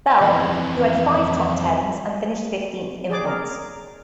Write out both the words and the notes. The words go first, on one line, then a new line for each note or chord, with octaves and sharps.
Bell, who had five top-tens and finished fifteenth in points.
F2 E3
G#4 D5 D6
A#4